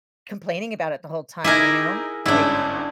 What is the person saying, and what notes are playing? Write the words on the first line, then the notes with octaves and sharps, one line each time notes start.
complaining about it the whole time, you know? Like,
D#4 E4 G#4 A#4 D6
G1 G#2 C#4 D4 E4